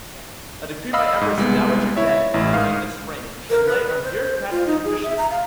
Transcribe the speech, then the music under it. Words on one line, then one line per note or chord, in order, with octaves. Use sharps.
A decree by Empress Dowager Deng during this reign shed light on bureaucratic inefficiency.
D#5 F5 B5 E6
G#2 D#5
C2 G#3 B3
E4 C#5 E5
A1 E4
G#2 F5
A#4
B4
B4
C5
F4
D#4
G#4
E5
A#5
F5